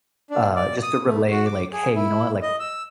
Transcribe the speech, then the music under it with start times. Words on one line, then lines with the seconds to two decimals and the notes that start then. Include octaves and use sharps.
uh, just to relay, like, "Hey, you know what, like,
0.30 D4
0.56 D5
0.83 D#6
1.07 A3
1.31 F#4
1.46 D6
1.72 G#4
1.95 E4
2.42 D#5
2.60 E6